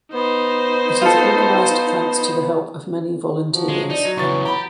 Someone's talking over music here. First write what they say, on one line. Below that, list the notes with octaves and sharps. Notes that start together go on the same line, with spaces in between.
It is organized thanks to the help of many volunteers.
B3 D#4 C5
F4 A4
F3 F#3
G#3
D4 D#4
F#3
F2 C#3 E3 F#3 B3 C#6 A6
G4 A#5 B5